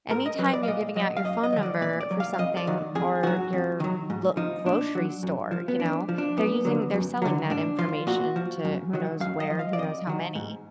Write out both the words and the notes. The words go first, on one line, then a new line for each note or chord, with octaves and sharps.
Anytime you're giving out your phone number for something or your lo grocery store, you know, they're using they're selling that information to who knows where and who knows how many,
G#2 A#4
D#5
F#3 B4
D5
F5
A#2 D#5
F#3 D#5
F5
F#2 D#5
D#5
D#3 F#3
D5
A#2 D5
D5
F#3
F5
F5
F2 D#5
D5
D#3 F#3
F2 G#4
D#3 F#3 F#4
F2
D#3 F#3
G#2
F3 D#4
A#2 D4
F#3
F#2
F3
B3
F2 D4
F3
D4
F#2 B3
D3 F#3
F#2
D3 F#3
G#2 D4
F3 F4
A#2 F#4
F3
F#2
D#3 F#3
F#2 F5
D#5
F3
F5
D5
F2 D#5
D#3 F#3
G#2